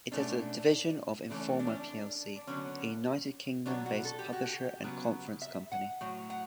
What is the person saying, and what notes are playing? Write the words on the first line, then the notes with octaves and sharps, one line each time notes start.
It is a division of Informa plc, a United Kingdom-based publisher and conference company.
B2 A3 C#4 D4
E3 A3 C#4 D4
D4
C#4
D4
D4
D3 F#3 B3 C#4
B2 F#3 B3 D4
F#4
A4
G4
F#4
G4
C#3 F#3 B3
E5
F#5
A2 F#3
F#5